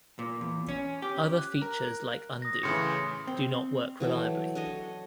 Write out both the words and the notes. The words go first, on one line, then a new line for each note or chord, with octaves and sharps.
Other features like Undo do not work reliably.
A#2
E2
C#4
G4
F#6
A#4
D#6 A#6
A2 C#3 E3 C6 D#6 C#7
C4
E3 F#3 A4 G5
D4 A4 C#5 D#5